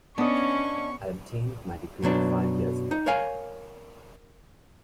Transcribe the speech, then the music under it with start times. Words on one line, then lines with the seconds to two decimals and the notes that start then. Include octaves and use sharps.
I obtained my degree five years ago.
0.18 B3 C#4 D4 D#5 C#6
2.02 F#2 B2 F#3 D4
2.91 D#4
3.06 A#4 C#5 F5 G#5